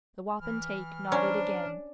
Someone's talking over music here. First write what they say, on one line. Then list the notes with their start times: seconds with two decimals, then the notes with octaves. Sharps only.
The wapentake nodded again.
0.40 E3 F6
1.12 C#4 D4 C5 D5 A#5